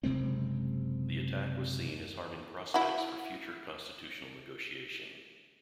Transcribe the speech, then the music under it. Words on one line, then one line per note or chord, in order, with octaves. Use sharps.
The attack was seen as harming prospects for future constitutional negotiation.
F#1 C3 G#3 C4
E4 F#4